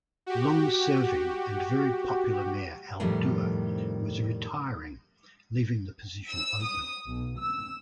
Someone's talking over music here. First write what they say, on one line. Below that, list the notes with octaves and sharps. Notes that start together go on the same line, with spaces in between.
Long serving and very popular mayor Al Duerr was retiring leaving the position open.
F#4 G4
F2 A2 C3 D#3 F3 G3
E6
D#6
B1
E6